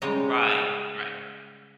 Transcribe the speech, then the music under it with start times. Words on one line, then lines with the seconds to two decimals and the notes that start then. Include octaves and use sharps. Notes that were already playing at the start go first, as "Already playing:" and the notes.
Right. Right.
0.02 C#3 G3 G#3 D#4 C#5 D#5